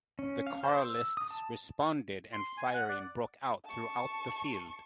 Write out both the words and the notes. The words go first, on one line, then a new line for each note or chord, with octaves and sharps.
The Carlists responded and firing broke out throughout the field.
C#4
F5
C5
E6
D#6
A5
C6
G#5
F#5
D5
A5 C#6